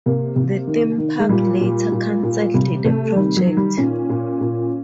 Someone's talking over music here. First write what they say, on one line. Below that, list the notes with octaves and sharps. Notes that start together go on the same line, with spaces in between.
The theme park later canceled the project.
C3 A#3
C3
D#3
D#3
G#3
A#2 G3
A#2
A#2
A#2
C3 G3
C3 A3
D#3 G3
F#3
D#3
G3
A#2 C#4
A#2
A#2